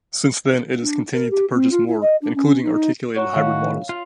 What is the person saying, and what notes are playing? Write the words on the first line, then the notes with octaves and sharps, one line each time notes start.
Since then it has continued to purchase more, including articulated hybrid models.
D4
A#4
G4
C4
F4
E4
D#5
D4
C#4
D#4
F#4 C#5 A#5
A2 D#3 F5
F4 F5